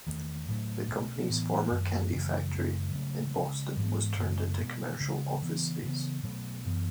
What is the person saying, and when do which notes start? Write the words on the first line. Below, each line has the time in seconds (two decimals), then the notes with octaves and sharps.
The company's former candy factory in Boston was turned into commercial office space.
0.06 E2 D#3 A3
0.48 A2 F#3 A3
0.88 B2 A3 C#4
1.29 A2 E3 B3
1.71 F#2 D#3 A3
2.12 F#2 C#3 E3 A3
2.53 F#2 C#3 G#3
2.94 C#3 F#3 A3 C#4
3.36 C#3 G#3 C#4
3.76 G#2 E3 G#3 B3
4.18 F#2 C#3 G#3 B3
4.60 B2 G#3 B3
5.00 C#3 G#3 C#4
5.42 C#3 E3 B3
5.83 C#3 E3 G#3 B3
6.23 B2 F#3 A3
6.65 F#2 E3 B3